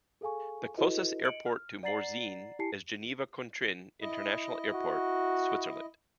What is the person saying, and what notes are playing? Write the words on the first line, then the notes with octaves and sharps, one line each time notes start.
The closest airport to Morzine is Geneva Cointrin International Airport, Switzerland.
G#4 A4 F5 G#5 C#6
E4 F#4 A4 B4 D#5
D#5 C#7 D7 F#7
F6
D5 F#5 A#5 A6 C7 F#7
E4 G4 G#5 A5 C7 C#7
E4 D#5
F#4